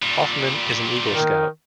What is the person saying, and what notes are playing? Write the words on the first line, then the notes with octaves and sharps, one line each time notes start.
Hoffman is an Eagle Scout.
A#2 G3
D#3